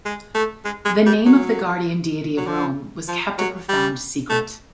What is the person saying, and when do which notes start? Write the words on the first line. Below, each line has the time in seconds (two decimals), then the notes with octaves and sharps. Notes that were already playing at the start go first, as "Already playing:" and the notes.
The name of the guardian deity of Rome was kept a profound secret.
0.05 G#3
0.35 A3
0.65 G#3
0.85 G#3
1.06 G3
1.26 F#3
2.37 F#3
2.47 F3
3.08 F3
3.39 F#3
3.69 G3
4.30 A3